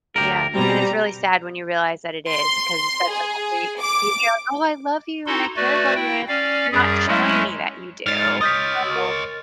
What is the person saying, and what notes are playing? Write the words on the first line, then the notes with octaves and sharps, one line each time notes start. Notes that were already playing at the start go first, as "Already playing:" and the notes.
yeah, and it's really sad when you realize that it is 'cause especially after y you hear, "Oh, I love you, and I care about you." and it's, like, "You're not showing me that you do," so
D2 G4 A#4
B2 G3 C4 A#5
C6
G#4
D6
D#4 E4 F#4 A4 C6
A3 F#4 B4 D5
E4 G5
C#4 D5 F5
F#2 G3 G#4
F#3 G#3 A3 C#4 E4
G#2 F6 A6
C#5 D#5 D#6 G6 B6
A#4